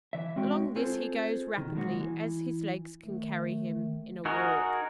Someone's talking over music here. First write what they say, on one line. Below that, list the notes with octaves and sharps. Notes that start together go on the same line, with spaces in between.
Along this he goes rapidly as his legs can carry him--in a walk.
E3 E5
B1 G#3 C4 C#4 F#4 G5
C4 F4 G#4 A4 C5
B2 D#3
D#3 F#3 G#3 A#3 F#4
E3
D#3 A3
D#4 F#4 G#4 A#4